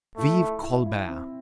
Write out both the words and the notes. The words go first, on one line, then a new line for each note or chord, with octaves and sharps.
Vive Colbert!
A3 E4
E4
E4
E4
C4